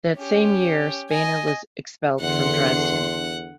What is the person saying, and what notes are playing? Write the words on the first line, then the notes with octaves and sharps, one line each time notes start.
That same year Spener was expelled from Dresden.
C#4 G4
D#5 G#5
E2 D3 F#5 C6 C#7